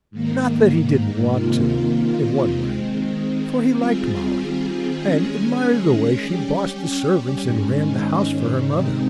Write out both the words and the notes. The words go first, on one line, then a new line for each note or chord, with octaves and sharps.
Not that he didn't want to, in one way; for he liked Molly, and admired the way she bossed the servants and ran the house for her mother.
G#2 D#3 A#3
C3 D#3 A#3 F4
D#3 G#3 C4
D#3 G3 C4 F4 G#4
D#3 G#3 C#4 G#4
G3 C#4 G4
G#2 D#3 G#3 C#4
C3 D#3 G#3 C4 D#4